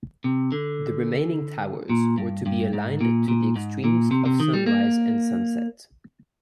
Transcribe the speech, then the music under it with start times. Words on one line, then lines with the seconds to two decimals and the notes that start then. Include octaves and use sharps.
The remaining towers were to be aligned to the extremes of sunrise and sunset.
0.24 C3
0.52 D3
1.89 A#2
2.18 G2
2.46 G2
2.73 G#2
3.01 A#2
3.28 A#2
3.56 G#2
3.84 A#2
4.11 C3
4.26 C3
4.40 D#3
4.54 G3
4.66 A#3